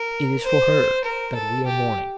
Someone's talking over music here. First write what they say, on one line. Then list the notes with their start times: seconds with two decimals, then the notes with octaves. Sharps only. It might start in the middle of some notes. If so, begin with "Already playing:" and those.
It is for her that we are mourning.
Already playing: A#4
0.44 C5
1.05 A#4
1.35 A4
1.66 G4